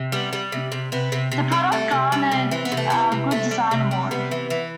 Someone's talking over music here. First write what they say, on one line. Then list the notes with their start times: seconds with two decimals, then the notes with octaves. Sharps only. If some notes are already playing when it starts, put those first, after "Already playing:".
The product garnered a Good Design Award.
Already playing: C3
0.12 G3 B3
0.33 G3
0.52 C3
0.72 C3
0.92 C3 B3
1.12 C3
1.32 C3
1.52 G3
1.72 G3 A3
1.91 C3
2.12 G3
2.32 C3
2.51 E3 C4
2.65 B3
2.72 C3
2.77 A3
2.90 E3 B3
3.12 C3
3.31 C3 A3
3.51 G3
3.71 C3
3.91 G3
4.11 C3 B3
4.31 E3
4.50 E3